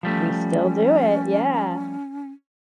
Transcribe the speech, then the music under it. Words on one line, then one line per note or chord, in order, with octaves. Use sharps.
we still do it, yeah.
F3 G3 A3 C#4